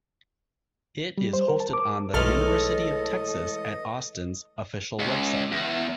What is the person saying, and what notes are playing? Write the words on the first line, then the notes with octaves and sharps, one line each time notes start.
It is hosted on The University of Texas at Austin's official website.
G3
C5
A#4
A5
D6
B1 A2 E3 G#3 A4 D#5 F6
C#2
E2